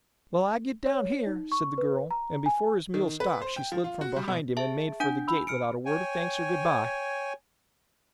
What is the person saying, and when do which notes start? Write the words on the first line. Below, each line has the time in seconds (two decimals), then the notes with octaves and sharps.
"Well, I git down here," said the girl, and before his mule stopped she slid from behind him and made for the gate without a word of thanks or good-by.
0.87 C#5
1.27 D#4
1.52 C#6
1.78 B4
2.11 A#5
2.46 G#5
2.94 D#3
3.20 B4
3.42 C5
3.56 G5
3.72 F3
3.84 F4
4.01 F#4
4.16 G3
4.28 B2
4.57 G#4 E5 A5
5.00 D4 F#5 G#5 G6
5.27 B5 E6
5.47 F6 C#7 D7
5.85 C#5 G5 G#5